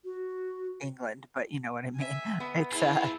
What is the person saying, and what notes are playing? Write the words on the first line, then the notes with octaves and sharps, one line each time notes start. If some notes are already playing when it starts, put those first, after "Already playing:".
England, but you know what I mean. It's uh
F#4
E5 G#5
B3
E4 F4 G#4 A4